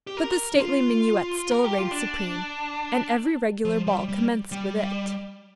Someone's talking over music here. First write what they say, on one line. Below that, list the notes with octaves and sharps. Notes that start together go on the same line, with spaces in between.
But the stately minuet still reigned supreme; and every regular ball commenced with it.
G4
A#4
D4
F4
A#4
G4
F4
D4
F3
G3
G3
G3